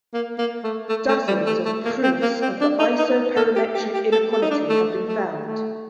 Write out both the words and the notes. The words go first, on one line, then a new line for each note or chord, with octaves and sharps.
Dozens of proofs of the isoperimetric inequality have been found.
A#3
A#3
A3
A3
A3
G3
A3
A3
A#3
C4
A#3
C4
D4
D#4
D#4
A4
G4
G4
G4
A4
A4
D#4
D4
A3
A3
A3